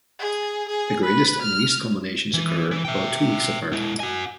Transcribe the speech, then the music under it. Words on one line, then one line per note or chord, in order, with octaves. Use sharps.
The greatest and least culminations occur about two weeks apart.
G#4
G#4
B4
F6
E3
E3
E5 G5
G#3 E4
F#4 G#5